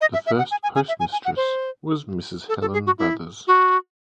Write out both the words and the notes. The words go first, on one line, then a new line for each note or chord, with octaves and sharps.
The first Postmistress was Mrs. Helen Brothers.
D#5
E5
E5
F#5
G#5
G#5
G#5
E5
G#5
G#5
F#5
C5
A4
A4
G#4
F#4
E4
F#4